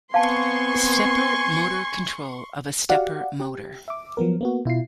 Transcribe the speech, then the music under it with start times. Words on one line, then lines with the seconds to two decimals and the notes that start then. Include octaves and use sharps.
Stepper Motor Control of a stepper motor.
0.14 B3 C4 F5 G#5 A5 C6 C#6
2.89 F#4 G4 D5 F5 F#5
3.40 G4
3.88 E5 D6
4.17 F3 F#3 B3 A#4
4.41 A#3 B3 F#4
4.65 B2 E4 F4 C7